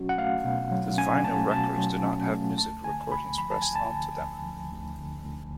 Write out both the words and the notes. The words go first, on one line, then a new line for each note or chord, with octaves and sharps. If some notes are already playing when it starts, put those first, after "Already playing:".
These vinyl records do not have music recordings pressed on to them.
Already playing: B2 F#3 C#4 F#4
F#5
A3 F5
B2
F#3
C#4 G#5
A3 A5
B2 A5
F#3
C#4
A3
D2 A5
D3 G#5
D2 B5
F3 B5
A5
D2 G#5
A5
D3
D2
F3
D2
D3
D2